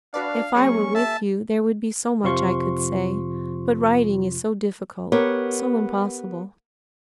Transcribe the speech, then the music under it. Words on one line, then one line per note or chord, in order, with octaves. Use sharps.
If I were with you, there would be so much I could say; but writing is so difficult, so impossible.
D4 F#4 B4 D5 F5
F#3 A#3 C#4 G#4 C#6
E5 A5
F2 C3 F3 F4 C6 C#6
B3 G4 A#4 C#5